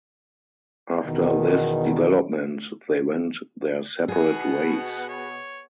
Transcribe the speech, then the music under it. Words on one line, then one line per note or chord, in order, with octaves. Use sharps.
After this development, they went their separate ways.
E2 B2 D#3
B2 B3 G#4 F#5
C#5